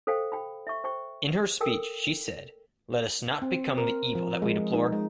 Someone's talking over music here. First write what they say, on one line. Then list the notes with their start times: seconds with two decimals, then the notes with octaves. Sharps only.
In her speech she said, "let us not become the evil that we deplore".
0.07 A4 C5 F5 G5
0.32 G5 B5
0.67 E5 C#6
0.84 C5 G5 C#6
1.61 A4 A#4 G5 E6
3.42 C4
3.78 A#4
4.15 F3
4.42 G#3
4.73 D#4
4.92 G#3